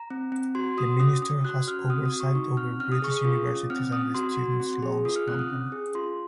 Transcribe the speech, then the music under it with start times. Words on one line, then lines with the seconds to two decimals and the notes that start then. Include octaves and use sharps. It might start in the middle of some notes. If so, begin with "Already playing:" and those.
The minister has oversight over British universities and the Student Loans Company.
Already playing: A#5
0.10 C4
0.32 C4
0.55 F#4 C6
0.77 F#4 D#6
1.00 C#4 D#6
1.22 C#4 D#6
1.45 F#4 F#6
1.68 F#4 F6
1.90 C4 D#6
2.06 D#6
2.12 F#4
2.20 C#6
2.35 D#4 C#6
2.57 C4 F6
2.80 C#4 F6
2.92 D#6
3.02 G#4 C#6
3.17 D#6
3.25 F4
3.47 C#4
3.70 C4 F6
3.92 C4 D#6
4.14 F#4 C6
4.37 F#4
4.60 C4
4.83 G#4
5.05 F4 D#6
5.16 F6
5.28 C4 F#6
5.39 D#6
5.50 C#4
5.72 G#4
5.95 F4 C6